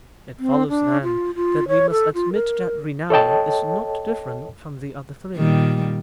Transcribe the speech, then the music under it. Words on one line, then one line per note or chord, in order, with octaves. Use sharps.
'It follows, then, that we must admit that renown is not different from the other three.'
C4
D4
F4
F4
C#5
A4
F4
A#4
A4 C#5 D#5 G5 A5
A#2 D#3 G3